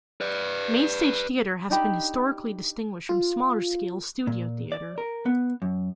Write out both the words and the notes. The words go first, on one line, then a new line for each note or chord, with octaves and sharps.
Mainstage theatre has been historically distinguished from smaller-scale studio theatre.
B4 D5
D4 D#4 G4 B5
F4
A#2
D5
A#4
B3
F#2